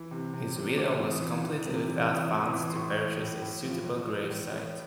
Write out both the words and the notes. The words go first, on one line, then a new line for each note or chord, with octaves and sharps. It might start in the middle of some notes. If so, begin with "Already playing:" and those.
His widow was completely without funds to purchase a suitable gravesite.
Already playing: E3
C3
C3
C3
C3 D6
E3
D#6
E3
E3
C3
E3
E3 D#6
E3
D#6
E3
C6
A2 C#6
A2
A2
A2
F3
A2
E3
A2
A2